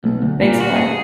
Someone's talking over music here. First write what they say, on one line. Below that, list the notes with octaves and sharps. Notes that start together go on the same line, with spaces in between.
Mm, thanks, bud.
B1
D2
A#2
F#4
G#4